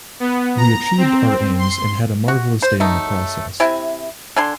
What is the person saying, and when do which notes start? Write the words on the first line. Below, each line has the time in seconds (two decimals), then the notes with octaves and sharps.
We achieved our aims and had a marvellous day in the process.
0.20 B3
0.58 A#5
0.98 C4
1.59 C6
2.28 F#4
2.62 C5
2.80 F#3 A3 D#4
3.60 C3 E4 G#5
4.36 D3 G#5 C6